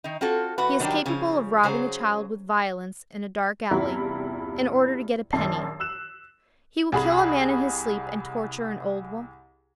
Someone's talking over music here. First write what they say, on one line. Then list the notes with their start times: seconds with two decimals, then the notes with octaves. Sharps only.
He is capable of robbing a child with violence in a dark alley, in order to get a penny; he will kill a man in his sleep and torture an old woman.
0.04 D#3 D#4
0.21 C4 F4 F#4 A4
0.58 E2 F#4 B4
0.80 D#3 F#3 G3 B3 D4 G4
1.06 C#3 F3 G#5
1.63 C#3 F#3 G#4 C5
3.71 E2 G2 C3 E4 F4 A#5
5.33 A#1 F#2 D#3 A5 C7
5.80 E6 F#6 E7
6.92 C2 G#4 B5